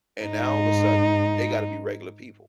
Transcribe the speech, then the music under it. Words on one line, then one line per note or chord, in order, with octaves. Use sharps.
and now, all of a sudden, they gotta be regular people,
G#2 D#4